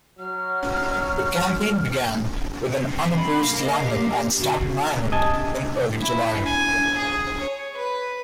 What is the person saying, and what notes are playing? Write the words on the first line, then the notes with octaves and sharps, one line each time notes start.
The campaign began with an unopposed landing on Staten Island in early July.
F#3 F6
C3
B5
A#3 F5
D#5
G4
B2 D3 F#4
C3
D#5 G#5 A5
E4
G#5
G#4
C#5
B4